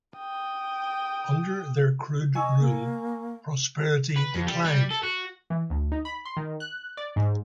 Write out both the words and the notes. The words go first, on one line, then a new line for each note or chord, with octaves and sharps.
Under their crude rule, prosperity declined.
G5 D#6
D#5 G#5 C#6 E6
A#3
B4
F2
G3
G3
A4
F#4
E3
D2
D#4
B5
C6
D#3
F#6
D5
G#2